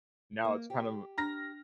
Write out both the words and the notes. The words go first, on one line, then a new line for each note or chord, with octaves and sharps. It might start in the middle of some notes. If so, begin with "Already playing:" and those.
Now, it's kind of
A#3
G4
D4 A#5 F6 A#6